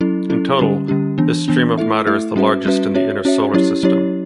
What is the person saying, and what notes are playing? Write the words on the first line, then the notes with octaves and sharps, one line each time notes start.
In total, this stream of matter is the largest in the inner solar system.
F#3 C#4 E4 A4
F#3 C#4 E4 A4
D3 G3 C#4 G4
D3 G3 C#4 G4
E3 B3 D4
E3 B3 D4
A3 E4 A4 E5
A3 E4 A4 E5
G3 C#4 F#4 B4 E5
G3 C#4 F#4 B4 E5
C#4 F#4 C#5 E5
C#4 F#4 C#5 E5
F#3 C#4 E4 G4 C#5
F#3 C#4 E4 G4 C#5